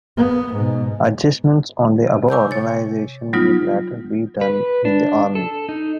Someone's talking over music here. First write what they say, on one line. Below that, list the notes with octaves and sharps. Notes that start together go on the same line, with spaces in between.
Adjustments on the above organization would latter be done in the Army.
B3
G#2 B2
C3
G#5 C#6 D6 E6 G6
C#5 A6
F#3 G3 B3 D#4 F4
B4
D4
A4
D#4